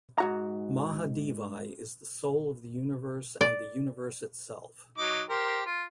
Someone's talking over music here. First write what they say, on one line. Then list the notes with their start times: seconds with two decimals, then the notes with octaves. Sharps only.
Mahadevi is the soul of the universe and the universe itself.
0.18 G#2 F#4 A#5
3.41 D5
4.98 F#3 D#4 D6
5.30 G4 A#4 C5
5.66 F4